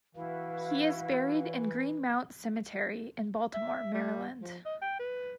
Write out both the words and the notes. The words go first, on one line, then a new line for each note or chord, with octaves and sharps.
He is buried in Green Mount Cemetery in Baltimore, Maryland.
E3 E4 F#4 B4 F5
E5
G3
F3
D#5
G5
B4